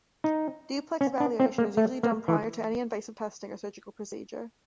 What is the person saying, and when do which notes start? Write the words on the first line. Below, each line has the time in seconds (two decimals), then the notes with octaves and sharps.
Duplex evaluation is usually done prior to any invasive testing or surgical procedure.
0.24 D#4
1.01 C#4
1.20 D4
1.40 C4
1.58 A#3
1.77 A3
2.03 A#3
2.28 E3